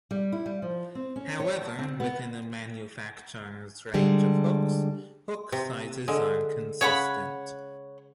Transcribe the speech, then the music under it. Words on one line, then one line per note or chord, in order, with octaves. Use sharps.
However, within a manufacturer's range of hooks, hook sizes are consistent.
G3
E4
G3
F3
C4
C#4
C#5
A5
C4
B3
D3 G3 G#3
C3
D3 G#3
C#3 C#5 F#5 B5